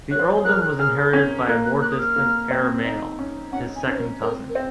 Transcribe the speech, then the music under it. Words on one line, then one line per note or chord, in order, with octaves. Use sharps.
The earldom was inherited by a more distant heir-male, his second cousin.
C#5 F#6
C5
C#5
G#4
A#4 F#6
F6
F#6
G#4 F6
C#4 G#6
A#3 F#6
F#6
F#6
D#6
F6
A#3
C4
D#4
C#4
C#4 F#5
G#5
C#4
C5
A#4
C4 A#4
A#4
C4 C5